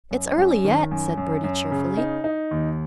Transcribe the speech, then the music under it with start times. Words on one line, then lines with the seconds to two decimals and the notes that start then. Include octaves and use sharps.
"It's early yet," said Bertie cheerfully.
0.11 F#2
0.38 F#2
0.64 D#3
0.91 F#2
1.18 F#2
1.44 F#2
1.71 C#3
1.97 D#4
2.24 D#4
2.51 D#2